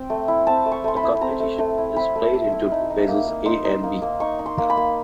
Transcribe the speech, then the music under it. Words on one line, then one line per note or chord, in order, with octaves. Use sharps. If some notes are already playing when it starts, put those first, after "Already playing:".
The competition is played into two phases A and B.
Already playing: C4 G5
A3
E4
C4 A5
A3
C#6
A3 C6
B5
E4
C4 A#5
A3
A3
E4
C4 B5
A3
A3
E4
D#4
D#4
A#3
A#3
D#4 C6
D#4
A#3
A#3
D#4 C#6
D#4
C6
A#3
B5
A#3